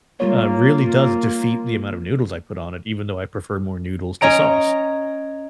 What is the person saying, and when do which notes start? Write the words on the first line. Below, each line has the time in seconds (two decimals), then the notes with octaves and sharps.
uh, really does defeat the amount of noodles I put on it, even though I prefer more noodles to sauce.
0.20 G3 G#3 A#3 F4 C#5
4.21 C#4 C#5 D#5 A#5 D7